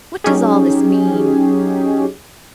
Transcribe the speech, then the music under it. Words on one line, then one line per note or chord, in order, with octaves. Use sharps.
"What does all this mean?"
F#3 C#4 D#4 G4 G#4